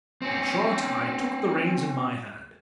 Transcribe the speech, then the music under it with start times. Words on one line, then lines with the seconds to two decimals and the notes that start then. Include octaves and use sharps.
In short, I took the reins in my hand.
0.22 C4 C#4